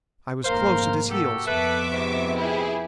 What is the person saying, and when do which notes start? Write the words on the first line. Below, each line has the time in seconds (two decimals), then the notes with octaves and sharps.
I was close at his heels.
0.45 F1 G#2 A#3 A#4 C5 F5
1.10 F#4 G4 A4
1.47 F2 B3 A4 B4 E5 C#6 D6
1.92 G#2 C3
2.37 E4 G4 G#4